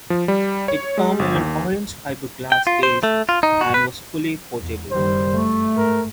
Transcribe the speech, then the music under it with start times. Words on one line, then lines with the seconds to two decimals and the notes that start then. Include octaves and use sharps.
It came in an orange fiberglass case and was fully portable.
0.10 F3
0.28 G3
0.68 C#5
0.98 G#3
1.19 G1
1.35 D#2
2.52 G5
2.67 F4
2.83 C5
3.03 A3
3.29 F4
3.43 D#4
3.61 F#4
3.74 B4
4.61 E2
4.91 F#1 D#3 G3 C5
5.34 G2 A3
5.77 G#2 A#4